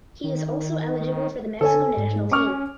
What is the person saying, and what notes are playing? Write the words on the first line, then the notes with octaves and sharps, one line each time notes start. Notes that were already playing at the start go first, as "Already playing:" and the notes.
He is also eligible for the Mexico national team.
D#3
D3 A4 C#5 G#5
G#2
C#4 C#6 D6 F6